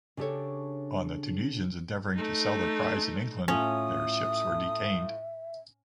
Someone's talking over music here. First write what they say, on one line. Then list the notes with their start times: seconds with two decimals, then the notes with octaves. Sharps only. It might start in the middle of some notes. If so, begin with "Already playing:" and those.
On the Tunisians endeavouring to sell their prize in England, their ships were detained.
0.17 C#3 D4 G4 A4 C#5
2.15 A3 D#4
3.48 A2 C#4 F4 E5 D#6